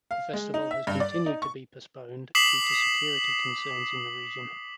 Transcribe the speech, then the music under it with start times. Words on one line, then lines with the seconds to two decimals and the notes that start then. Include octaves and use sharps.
The Festival has continued to be postponed due to security concerns in the region.
0.11 F5
0.34 G#3
0.54 D#4
0.71 E5
0.87 G2
1.00 D5
1.26 D#4
1.42 C#6
2.35 D6 D#6 B6 C7 E7 F#7